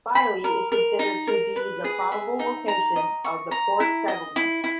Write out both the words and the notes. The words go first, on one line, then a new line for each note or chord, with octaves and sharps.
Filey is considered to be the probable location of the port settlement.
B5
A#4
A#4
D#4
A#4
B4
G#4
E5
D#4
A#5
D#5
C#6
A#5
E4
D#5
E4
E4